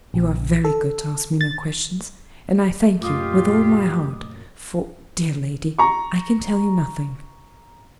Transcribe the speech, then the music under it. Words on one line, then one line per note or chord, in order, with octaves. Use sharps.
"You are very good to ask me no questions, and I thank you with all my heart; for, dear lady, I can tell you nothing."
A#1
A4
A6
F#2 A#2 A3 F4 G4 D6 D#6
A#5 C#6